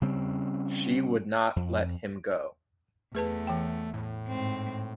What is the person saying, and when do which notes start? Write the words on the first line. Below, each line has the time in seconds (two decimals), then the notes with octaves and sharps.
She would not let him go.
0.02 C#3 G3 C4 C#4
1.56 F2
3.15 E2 A3 G#4 B4 A5
3.47 E3 G5
3.94 A2
4.28 G#2 C4